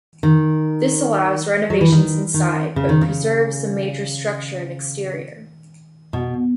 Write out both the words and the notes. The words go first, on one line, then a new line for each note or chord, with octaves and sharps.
This allows renovations inside, but preserves the major structure and exterior.
D#3
F#3
E3
D#3
D#3
C#3
D#3
C#3
B2